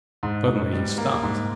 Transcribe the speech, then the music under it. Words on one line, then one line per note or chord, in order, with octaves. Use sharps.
Suddenly he stopped.
G#2
G#2
G3
A#3
G#2